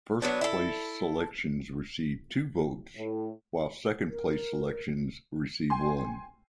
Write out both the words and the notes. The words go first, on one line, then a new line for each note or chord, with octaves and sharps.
First place selections receive two votes, while second place selections receive one.
F#3 B3 D4
E4 A4
A2
A#4
G5 G#5 C6